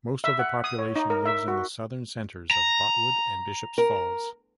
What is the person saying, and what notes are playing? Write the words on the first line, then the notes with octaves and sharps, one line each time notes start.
Most of the population lives in the southern centres of Botwood and Bishop's Falls.
E5
F#5
D#6
C#5
D#4
A#4
E5
F#4
A#5
A#4